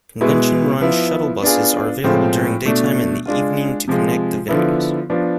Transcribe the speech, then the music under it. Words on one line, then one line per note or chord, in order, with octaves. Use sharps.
Convention-run shuttle buses are available during daytime and the evening to connect the venues.
B2 G#3 B3 E4
F3 B3 E4
B3 D4 F4 G#4
A2 F3 G#3 C4
B2 A3 D4
G#3 D4 F4
C3 F3 G#3
D3 F3 B3 E4
F3 B3 D4